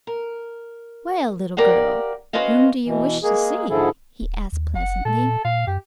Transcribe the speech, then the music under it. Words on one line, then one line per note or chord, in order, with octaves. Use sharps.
"Well, little girl, whom do you wish to see?" he asked pleasantly.
A#4
G4 A#4 D5 F5 F#5
C#4 F#4 B4 C5 D#5 F5
B2 E3
G#3 A#3 G#4
G#2 D3 F3 E4 G#4 A4
D1
D#2
F#1 F#5
A#2 A4
A#2 F5
F#2 G4